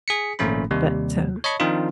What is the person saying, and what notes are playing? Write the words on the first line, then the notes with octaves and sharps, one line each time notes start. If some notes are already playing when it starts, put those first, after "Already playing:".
But, um
G#4 B6 C#7
G#1 A#2 F3 A3 C#4 B5
D#2 C3 G3
C#5 D#5 A5 B5 C#6
D#3 F3 C4 D4 D#4 F4